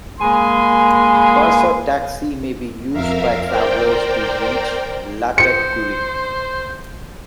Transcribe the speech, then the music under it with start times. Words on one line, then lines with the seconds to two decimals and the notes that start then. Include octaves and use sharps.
Bus or Taxi may be used by travelers to reach lataqguri.
0.21 G#3 A#3 G#5 B5 C6
2.91 F2 A#4 E5 F5
3.46 A#4 C5 D5 G5
5.38 C5 C#7